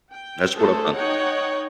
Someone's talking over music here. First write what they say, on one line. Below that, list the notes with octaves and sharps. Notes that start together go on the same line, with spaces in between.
That's what I've done.
G5
A3 G#4 A4 C5
D#4 C#5 F#5 G5